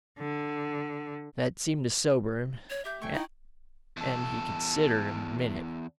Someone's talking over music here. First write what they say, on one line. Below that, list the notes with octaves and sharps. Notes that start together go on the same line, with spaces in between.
That seemed to sober him, and he considered a minute.
D3
C#5
G4 E5 G6
A3 G5 G#5 C#6
D#4 E4
E2 A4